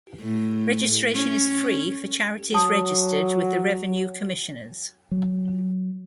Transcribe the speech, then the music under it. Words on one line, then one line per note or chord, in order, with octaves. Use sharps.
Registration is free for charities registered with the Revenue Commissioners.
A2
C#4
F#3 A5 D#6
F#3